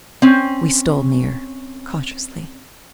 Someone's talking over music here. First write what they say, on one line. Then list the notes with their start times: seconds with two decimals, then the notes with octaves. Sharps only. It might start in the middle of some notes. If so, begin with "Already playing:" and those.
We stole near, cautiously.
0.22 C4 C#4